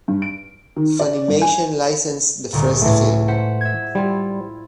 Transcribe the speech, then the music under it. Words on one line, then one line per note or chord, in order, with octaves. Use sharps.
Funimation licensed the first film.
G2
D7
D#3
D5
G2
G#5
G1 D2 A#2
C#2 A2 E3 A3
C5 F#5 B6
E5 G#6
G3 E4 F4